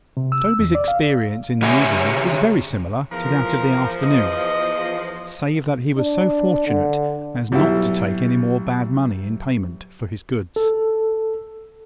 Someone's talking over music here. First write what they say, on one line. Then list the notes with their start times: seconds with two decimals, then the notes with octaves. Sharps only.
Toby's experience in the evening was very similar to that of the afternoon, save that he was so fortunate as not to take any more bad money in payment for his goods.
0.17 C3
0.32 E6
0.59 E2
0.75 D5
0.88 F5
1.62 C#3 G4 E5 G#5
3.12 E2 F3 A#4
4.03 D#5
5.98 D4
6.68 D3
7.52 B1 G3 E4
10.56 A4